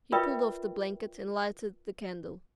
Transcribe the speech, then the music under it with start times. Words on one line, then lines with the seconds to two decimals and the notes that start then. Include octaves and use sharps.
He pulled off the blanket and lighted the candle.
0.12 F4 A#4 B4 D5 E5 G5